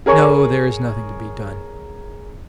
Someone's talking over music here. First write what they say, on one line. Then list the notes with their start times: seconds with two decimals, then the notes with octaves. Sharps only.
No, there is nothing to be done.
0.06 G#4 A#4 C#5 G#5 C#6